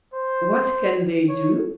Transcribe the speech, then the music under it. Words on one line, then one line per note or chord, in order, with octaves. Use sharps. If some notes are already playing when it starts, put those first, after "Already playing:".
What can they do?
C5
C#5